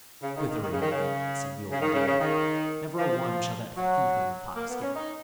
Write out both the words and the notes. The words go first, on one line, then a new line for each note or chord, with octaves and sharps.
'Whither, indeed', said the old dame; 'never a one shall that thief of a Fox get.
C#3
D#3
D#3
D#3
C#3
D#3
C#3
C#3
D#3
C#3
C#3
D#3
F3
F#3
A#3
B3
C#4
D#4